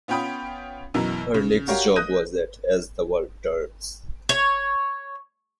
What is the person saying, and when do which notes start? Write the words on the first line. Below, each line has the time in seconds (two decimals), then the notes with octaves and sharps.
Her next job was at As the World Turns.
0.08 B3 C#4 F4 G5 B5 D#6
0.94 F#2 B2 E3 A#4
1.34 C#3
1.68 F#4 G4 A#4 C#5 F5
1.96 D#6 F#6 G6 A#6 D#7
4.29 C#5